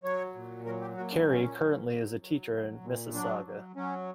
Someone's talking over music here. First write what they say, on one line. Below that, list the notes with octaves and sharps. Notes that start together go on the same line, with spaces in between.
Carrie currently is a teacher in Mississauga.
F#3 C#5
A#2
F#3 A#4
G4
A#2 F#4
D4
A#2 C#4
F#3
F#3
F#3
F#3
A#2
F#3 D4
F#3
F#3 C#4